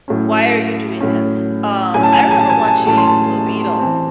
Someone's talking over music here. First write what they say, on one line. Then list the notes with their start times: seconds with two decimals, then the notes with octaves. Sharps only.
Why are you doing this? Um, I remember watching Blue Beetle,
0.08 A2 F#3 C#4
1.01 A2 F#3 C#4
1.94 A2 F#3 C#4 G#5
2.03 A5
2.12 G#5
2.22 A5
2.31 G#5
2.39 A5
2.50 G#5
2.59 A5
2.67 G#5
2.86 A2 F#3 C#4 A5
2.97 C6
3.07 A5
3.79 E3 C4